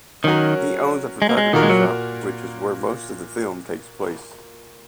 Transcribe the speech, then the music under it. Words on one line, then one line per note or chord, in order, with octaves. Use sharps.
He owns a photography shop, which is where most of the film takes place.
D#3 F#3 C#4 F#4 A#4
G#3
A#3
G#3
A#2 D#3 A#3 F#4 A#4
G#3
F#3